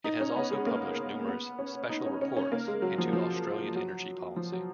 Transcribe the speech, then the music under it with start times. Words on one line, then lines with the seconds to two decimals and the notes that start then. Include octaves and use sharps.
It has also published numerous "special reports" into Australian energy policy.
0.04 D#4
0.20 C#4
0.36 B3
0.51 G#3
0.67 A#3
1.28 B3
1.59 C#4
1.89 D#4
2.06 C#4
2.21 C#4
2.37 C#4
2.52 A#3
2.68 G#3
2.82 F#3
2.98 F3
3.13 F3
3.75 F#3
4.36 F3
4.52 F#3